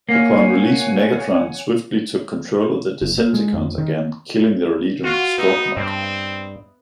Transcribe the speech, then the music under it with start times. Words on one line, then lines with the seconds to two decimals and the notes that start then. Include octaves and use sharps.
Upon release, Megatron swiftly took control of the Decepticons again, killing their leader Scorponok.
0.09 A#3 C#5 F#5 G#5
3.02 F#1
3.18 A#2
3.34 G#3
3.54 F2
3.78 D#3
5.04 F4 F#4
5.38 B3 D#4 D#5 E5
5.77 G2 C4